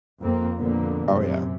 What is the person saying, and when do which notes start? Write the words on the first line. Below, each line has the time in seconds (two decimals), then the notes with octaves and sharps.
Oh, yeah.
0.21 F2 A#3 C4
0.57 F2 A#2 D3 A#3 B3
1.08 F#2 C3